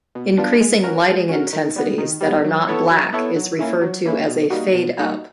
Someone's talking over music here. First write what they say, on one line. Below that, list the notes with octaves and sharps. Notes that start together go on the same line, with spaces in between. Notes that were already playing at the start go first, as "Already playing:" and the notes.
Increasing lighting intensities that are not black is referred to as a fade-up.
B2
G3 B3 D4 F4
G#3
C#4 F#4 A#4
G#3
C#4 F#4 A#4
D#3
G3 B3
D#3
G3 B3
F#3
B3 E4 A4 C#5
F#3
B3 E4 A4 C#5
F#3
A#3 C#4 E4
F#3
A#3 C#4 E4
B2
G3 A#3 D#4 F#4
B2
G3 A#3 D#4 F#4